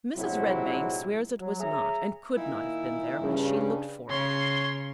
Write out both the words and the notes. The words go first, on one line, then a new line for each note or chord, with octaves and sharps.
Mrs. Redmain swears it was not, and could not have been, there when she looked for it.
A#1 C3 F#3 G#3 E4
F#3
G#4 C#5 E5 A#5
A#2 D#3 E4
G2 C#3
C#3 C#5 C6